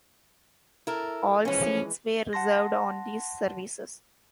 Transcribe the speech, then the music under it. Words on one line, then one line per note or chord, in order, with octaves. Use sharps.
All seats were reserved on these services.
E4 A4 A#4
E3 F3 G#3 C#4
F#5 A5 C6 A#6